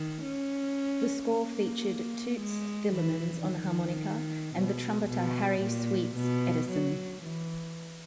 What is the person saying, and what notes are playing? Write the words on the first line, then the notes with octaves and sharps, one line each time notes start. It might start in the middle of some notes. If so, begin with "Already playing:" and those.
The score featured Toots Thielemans on harmonica and the trumpeter Harry "Sweets" Edison.
Already playing: D#3
C#4
A#3
G#3
E3
D#3
B2
B2
A#2
B2
F#3
E3